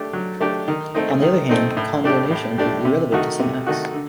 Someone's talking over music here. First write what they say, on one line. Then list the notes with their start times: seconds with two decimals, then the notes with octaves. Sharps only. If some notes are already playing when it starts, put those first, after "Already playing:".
On the other hand, condonation is irrelevant to some acts.
Already playing: A3 D4 G4
0.13 F#3
0.41 A3 D4 G4
0.68 D#3
0.95 A3 C4 D#4
1.22 D#3
1.49 A3 C4 D#4
1.77 A2
2.04 A3 D4 G4
2.31 A2
2.58 A3 D4 G4
2.85 C3
3.12 D#3 A3 D#4 F#4
3.39 C3
3.67 D#3 A3 D#4 F#4
3.94 D3